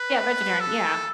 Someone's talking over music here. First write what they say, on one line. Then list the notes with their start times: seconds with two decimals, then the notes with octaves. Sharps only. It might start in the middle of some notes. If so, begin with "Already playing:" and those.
Yeah, vegetarian, yeah.
Already playing: B4
0.60 A4